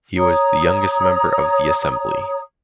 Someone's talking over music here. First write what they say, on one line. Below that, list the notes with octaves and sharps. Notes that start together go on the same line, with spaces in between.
He was the youngest member of the assembly.
C#5 A#5 D#6